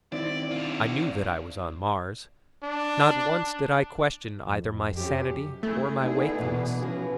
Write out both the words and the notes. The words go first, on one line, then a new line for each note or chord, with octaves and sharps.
I knew that I was on Mars; not once did I question either my sanity or my wakefulness.
D#3 C4 E4 D5
D4 F4
D4
F2
F#2 G4
A3 E4 G#4
A#2 D3 B3 D#4
B2 E3
B1 F3 C#4 F#4 B4